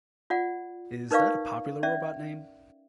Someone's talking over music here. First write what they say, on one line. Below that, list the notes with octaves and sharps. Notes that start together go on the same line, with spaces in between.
Is that a popular robot name?
F4 D5 F#5
D#4 A#4 B4 D5 F5 C#6
C#4 D5 E5